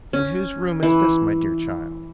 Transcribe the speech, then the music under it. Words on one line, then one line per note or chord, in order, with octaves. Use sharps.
"And whose room is this, my dear child?"
C#4
E3